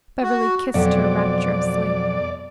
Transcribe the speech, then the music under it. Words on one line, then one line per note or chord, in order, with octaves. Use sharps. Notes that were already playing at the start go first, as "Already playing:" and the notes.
Beverly kissed her rapturously.
F#4
F2 B2 F#3 D5